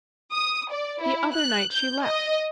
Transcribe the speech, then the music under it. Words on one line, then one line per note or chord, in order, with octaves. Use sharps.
"The other night she left."
D#6
D5
E4
F#6
G6
D#5